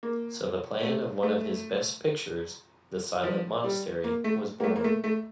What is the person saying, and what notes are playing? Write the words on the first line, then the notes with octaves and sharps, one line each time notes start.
So the plan of one of his best pictures, "The Silent Monastery", was born.
A#3
A3
A3
F3
G3
A#3
A3
A#3
A3
A#3
A3
A3